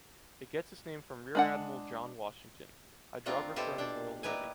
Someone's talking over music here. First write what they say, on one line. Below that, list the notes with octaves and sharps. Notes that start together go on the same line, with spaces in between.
It gets its name from Rear Admiral John Washington, hydrographer in the Royal Navy.
G#3 D4 F#5
A3 C4 D4 F4 A#4
B2 E4 G4 A4 C5 G#5
D4 G5 A5
A#2 D#4 E4 G4 B4 G#5